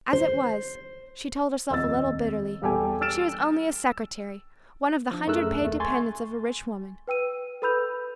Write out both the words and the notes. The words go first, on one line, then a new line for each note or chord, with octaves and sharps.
As it was, she told herself a little bitterly, she was only a secretary, one of the hundred paid dependents of a rich woman.
C5
D#1 F2 D#5 E6 A6
E2 G3 G4 A4 G#5
E6 F6 A6 D7 E7
F3 D4
F#2 A3 G#4 A#4 E6 F#6
D#2 A3
G#5 C6 C#6 G#6 A6
B4 G5 E6 D#7
A4 B4 B5 E6 G6 F7